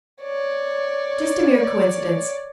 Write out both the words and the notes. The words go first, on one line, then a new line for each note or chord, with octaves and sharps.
Just a mere coincidence.
C#5 D5